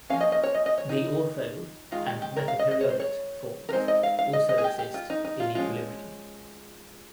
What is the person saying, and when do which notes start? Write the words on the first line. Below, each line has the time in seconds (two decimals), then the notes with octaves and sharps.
The ortho- and metaperiodate forms also exist in equilibrium.
0.10 F3 A#3 C#4 F5
0.21 D#5
0.32 D#5
0.43 C#5
0.54 D#5
0.66 D#5
0.78 C#5
0.89 D#4
1.91 D#3 G#3 D#4 F4
2.06 G4
2.22 G4
2.36 A#4
2.48 F5
2.59 D#5
2.71 D#5
2.81 C#5
2.90 C5
3.00 C#5
3.69 A#4
3.73 G#3 C4 D#4 C5
3.88 D#5
4.03 F5
4.19 F5
4.33 D#5
4.49 D#5
4.58 G#4
4.64 G4
4.79 G4
4.94 F4
5.10 D#4
5.25 D#4
5.40 F4
5.55 F3 G#3 C#4 F4